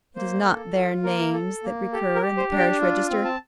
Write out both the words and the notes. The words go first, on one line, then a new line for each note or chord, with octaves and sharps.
It is not their names that recur in the parish register.
A#3 C5
A4
F4
A#3 A#4
A4
A#3
G4 A4
A#4
G4
C5
D4
G5
F4
C4
A5